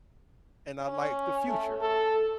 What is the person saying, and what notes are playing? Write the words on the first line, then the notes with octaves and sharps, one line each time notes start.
and I like The Future,
C#4
A3
A4